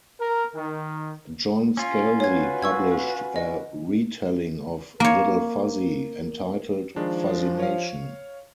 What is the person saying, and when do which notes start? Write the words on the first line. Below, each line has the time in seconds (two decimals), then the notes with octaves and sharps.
John Scalzi published a re-telling of "Little Fuzzy", entitled "Fuzzy Nation".
0.20 A#4
0.55 D#3
1.77 C#4 F4
2.20 F#4 B4 C#5 G#6
2.62 C#6 E6 G#6
3.36 D#5
5.00 A#3 C#5
6.96 D#3 F3 G#3 D4
7.60 C#5 F5